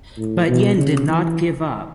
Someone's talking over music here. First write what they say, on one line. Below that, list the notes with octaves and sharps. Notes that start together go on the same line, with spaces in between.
But Yin did not give up.
A2
B2
C#3
E3